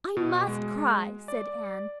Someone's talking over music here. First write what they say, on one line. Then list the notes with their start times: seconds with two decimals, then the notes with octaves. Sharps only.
"I must cry," said Anne.
0.17 B2
0.47 G#3
1.28 D5